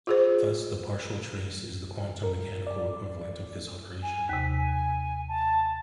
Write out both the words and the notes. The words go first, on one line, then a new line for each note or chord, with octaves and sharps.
Thus the partial trace is the quantum mechanical equivalent of this operation.
F4 G#4 C5
A#4
D5
G#5
D#2 C3 B6
G#5
A5